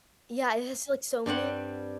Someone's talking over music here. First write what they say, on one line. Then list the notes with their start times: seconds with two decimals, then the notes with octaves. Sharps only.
Yeah, it has, like, so many
1.26 G2 G3 C4 F#5